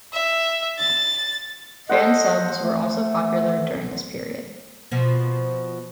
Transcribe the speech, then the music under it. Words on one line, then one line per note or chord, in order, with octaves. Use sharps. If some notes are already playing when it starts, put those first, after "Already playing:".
Fansubs were also popular during this period.
E5
A6
A4 C5 D#5 F#5
A3
B2 F3